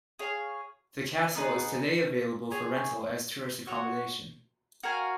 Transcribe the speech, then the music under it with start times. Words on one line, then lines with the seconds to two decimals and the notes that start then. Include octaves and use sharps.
The castle is today available for rental as tourist accommodation.
0.19 G#4 C#5 F5
1.35 B3 D#4 G#4 B4
2.51 G#4 C#5 G#5
3.67 F#4 C#5 F#5
4.83 F#4 A#4 F5 G#5